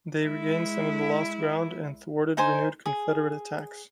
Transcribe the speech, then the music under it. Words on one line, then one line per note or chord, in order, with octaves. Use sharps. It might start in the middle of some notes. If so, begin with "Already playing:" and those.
They regained some of the lost ground and thwarted renewed Confederate attacks.
G#3 E4
D#4 C5 G#5
G#4